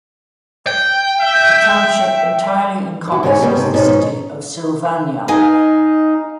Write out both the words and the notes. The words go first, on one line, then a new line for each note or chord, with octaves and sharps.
The township entirely encompasses the city of Sylvania.
G5
E5
E4 F#4
G#2 C#3 G4 A#4 C#5 G#5
C#3 G3 A#3 B3 C#4
F2 G#2 C3
G#2 B2 C#4 D#4
D#4 D#5 F5 G#5